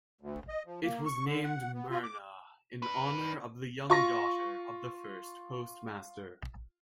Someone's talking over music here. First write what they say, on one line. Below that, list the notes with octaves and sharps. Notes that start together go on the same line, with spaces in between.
It was named Merna in honor of the young daughter of the first postmaster.
D2
D#5
F3
A#3
C#6
D3
F#5
B3
F4
D6
D4 B4
F4 C#6 A#6